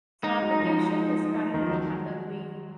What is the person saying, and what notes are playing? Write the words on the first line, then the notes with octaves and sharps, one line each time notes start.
Fabrication is currently underway.
G#3 D#4
F#3
F3
G#3
D#3
F3
F#3